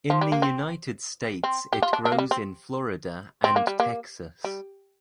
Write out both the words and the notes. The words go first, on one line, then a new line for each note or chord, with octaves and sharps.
In the United States it grows in Florida and Texas.
F3
G3
A#3
C4
C4
G4
F4
D4
D4
A#3
G3
C4
C4
A#3
G3
A#3
G3